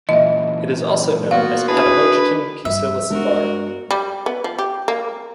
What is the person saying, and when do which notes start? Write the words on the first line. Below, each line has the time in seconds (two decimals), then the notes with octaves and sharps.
It is also known as Potamogeton pusillus var.
0.09 A#2 E3 D#5 E5
1.31 A#3 B3 F4 F#4 F5
1.68 D4 E4 F#4 G#4 B4
2.65 G2 F3 E5
3.10 G2 G#3 B3 C4 D4 F#4 A#4
3.91 G3
4.26 B3
4.44 F3
4.58 G4
4.88 A#3